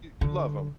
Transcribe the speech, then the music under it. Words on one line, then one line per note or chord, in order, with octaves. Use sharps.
You you love him.
D3